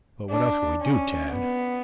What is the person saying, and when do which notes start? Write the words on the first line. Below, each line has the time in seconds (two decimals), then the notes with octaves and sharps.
"But, what else can we do, Tad?"
0.30 D4
0.82 C#4
1.33 B3